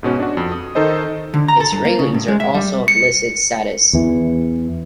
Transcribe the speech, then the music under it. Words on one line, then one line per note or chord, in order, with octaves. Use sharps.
Its railings are also of listed status.
G#2 B2 C#4 F#4
D4 F#4
F2
D#6
D#3 D#4 A4 C5 D#5
D3
A#5
A4
G2
A#3
C#3
A2
G#3
E5
G3
C#7
E2 E3